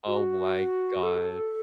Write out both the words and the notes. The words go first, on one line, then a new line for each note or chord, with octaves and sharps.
Oh my god.
F#4
A4